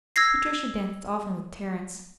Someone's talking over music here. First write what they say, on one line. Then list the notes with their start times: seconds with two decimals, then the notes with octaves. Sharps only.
Patricia danced often with Terence.
0.16 E6 G#6 A#6 C7